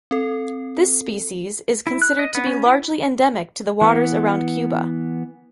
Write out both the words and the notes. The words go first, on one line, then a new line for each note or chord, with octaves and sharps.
This species is considered to be largely endemic to the waters around Cuba.
C4 A4
E4
F#6
D#5
B3
C#4
E4
E3 B3